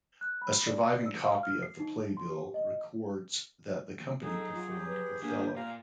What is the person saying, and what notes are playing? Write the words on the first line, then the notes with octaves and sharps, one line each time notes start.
A surviving copy of the playbill records that the company performed "Othello".
F#6
B5
D5
D5
E6
F5
F6
C7
D#4
C6
G4
D#5
F#3 D#4 G#4 A4
F4
G4
B4
A#3 D4 G#5
A#2 F5 A#5